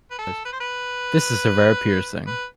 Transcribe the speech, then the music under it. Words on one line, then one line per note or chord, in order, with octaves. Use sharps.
This is a rare piercing.
B4
A4
B4
C5
B4
B4